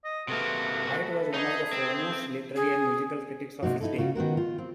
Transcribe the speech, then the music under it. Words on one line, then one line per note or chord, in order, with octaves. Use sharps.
White was one of the foremost literary and musical critics of his day.
D#5
C3 A#3 F#4 A4 B4 E5
D#4 G#4
C4
G#4
C3 A#3 D#4 F#4
D#4 E4 A4
C#3 F4 F#4
D#3 B3 F#4 A#4
F4
C4